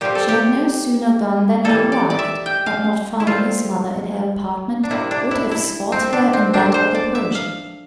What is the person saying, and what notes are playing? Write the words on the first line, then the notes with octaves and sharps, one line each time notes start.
She had no sooner gone than he arrived, and not finding his mother in her apartment, would have sought her in that of the Persian.
A#2 G3 C4 G4
A4
G4
E3 G3 A#3 A4
D5
D5
E5
G5
F5
E4
A#2 A3 C4 F4
D4
C3 G3 A#3 E4
D4
E4
E4
C4
D4
C4
A#2 A3 C4 D4
C5
D5
E5
F5